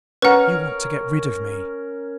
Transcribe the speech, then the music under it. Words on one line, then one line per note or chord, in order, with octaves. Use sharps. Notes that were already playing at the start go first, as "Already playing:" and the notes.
'You want to get rid of me!
C#4 A#4 B4 F#5